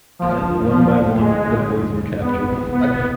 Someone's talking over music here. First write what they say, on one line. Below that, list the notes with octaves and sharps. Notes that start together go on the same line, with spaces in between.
One by one the boys were captured.
F2 D3 F3 G#3
F3
G#3
F2 C3 E3 G#3 B3 C4
B3